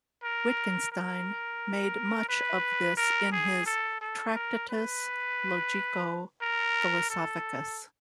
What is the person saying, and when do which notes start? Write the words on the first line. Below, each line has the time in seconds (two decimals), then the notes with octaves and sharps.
Wittgenstein made much of this in his Tractatus Logico-Philosophicus.
0.23 A#4
0.92 A#4
2.29 B4
2.97 A#4
3.32 G#4
3.66 A4
4.01 A4
4.35 A#4
4.69 B4
6.41 A#4
7.10 A4